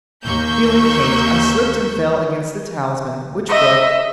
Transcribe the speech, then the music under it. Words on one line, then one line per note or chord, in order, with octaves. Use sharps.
Feeling faint, I slipped and fell against the talisman, which broke.
D#2 A#3 C#6 E6 G6 B6
D#5 E5